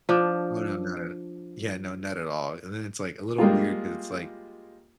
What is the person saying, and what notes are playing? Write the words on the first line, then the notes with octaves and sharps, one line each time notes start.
Oh, no, not at Yeah, no, not at all and then it's, like, a little weird 'cause it's, like,
F3 D4
G3 G#3 A#3 F4